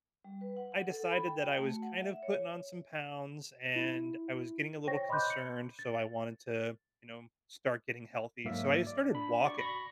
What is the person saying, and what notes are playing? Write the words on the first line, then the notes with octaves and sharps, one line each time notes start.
I decided that I was kind of putting on some pounds and I was getting a little concerned, so I wanted to, you know, start getting healthy. So, I just started walking.
G3
B4
F#5
F#5
A4
B5
G5
F#4
A3
F#5
E5
C#5
E4
C5 C#5 G5 C#6 A#6
D#5 B5 C6 D6 F#6 G6
C#7
A6
G#2 F#3 A#3 E5
D5
D4 B5
F#4 D5 C#6
B5 C#6 A#6 B6